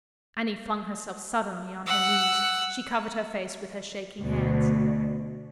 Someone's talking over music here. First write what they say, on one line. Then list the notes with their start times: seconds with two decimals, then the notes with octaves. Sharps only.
Annie flung herself suddenly on her knees; she covered her face with her shaking hands.
1.87 F#5 E6
4.20 D2 B2